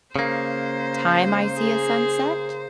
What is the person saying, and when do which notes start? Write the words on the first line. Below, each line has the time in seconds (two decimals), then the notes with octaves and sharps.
time I see a sunset.
0.16 C#3 A#3 C5
1.58 G#4